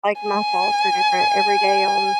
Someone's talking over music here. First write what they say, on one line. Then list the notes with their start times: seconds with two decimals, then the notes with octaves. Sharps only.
like, my thoughts are different every day on
0.21 G#5